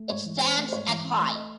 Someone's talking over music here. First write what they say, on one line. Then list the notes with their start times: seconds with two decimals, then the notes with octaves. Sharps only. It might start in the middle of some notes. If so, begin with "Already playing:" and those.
It stands at high.
Already playing: A3
0.09 G#2 C#5
0.25 E3
0.41 C4 C5
0.57 A3
0.69 C5
0.72 G#2 C#5
0.88 E3
1.03 C4
1.19 A3
1.35 D#5